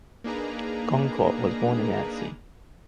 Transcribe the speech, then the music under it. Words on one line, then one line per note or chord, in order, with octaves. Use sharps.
Goncourt was born in Nancy.
A#3 D4 D#4 G#4 B4 A#5